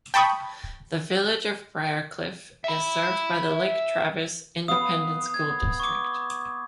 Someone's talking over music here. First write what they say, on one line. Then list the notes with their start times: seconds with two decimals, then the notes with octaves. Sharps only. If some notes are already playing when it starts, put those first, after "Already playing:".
The Village of Briarcliff is served by the Lake Travis Independent School District.
0.14 G5 A5 B5 C#6 D#6
2.64 E5 B5
4.68 B3 F5 D#6
5.34 G#6
5.80 C#6 D6